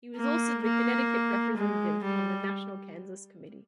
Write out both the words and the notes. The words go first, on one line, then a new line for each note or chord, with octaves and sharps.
He was also the Connecticut representative on the National Kansas Committee.
A#3
A#3
G#3
G3